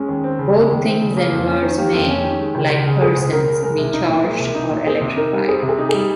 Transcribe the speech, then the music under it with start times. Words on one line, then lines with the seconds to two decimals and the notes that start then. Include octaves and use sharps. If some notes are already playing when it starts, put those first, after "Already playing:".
Both things and words may, like persons, be charged or electrified.
Already playing: G#3 C#4
0.09 D#2
0.24 C4
0.39 C#3
0.55 G#3
0.70 D#2
0.86 C4
1.01 C#3
1.17 A#3
1.32 F2
1.47 C#4
1.63 D#3
1.78 A#3 G4
1.93 F2
2.09 C#4
2.24 D#3
2.39 G#3
2.55 C#2
2.70 C#2
2.86 C#3
3.01 G#3 G#4
3.16 C#2
3.32 C#2 A#4
3.48 C#3
3.63 G#3 A#4
3.78 C2
3.94 D#4
4.09 A#2
4.24 G#3
4.40 C2
4.55 D#4
4.71 A#2
4.86 C4 G#4
5.01 C3
5.16 D#4 A#4
5.33 G3
5.48 C4 G#4
5.63 C3
5.69 G#4
5.78 D#4
5.89 G#4
5.94 G3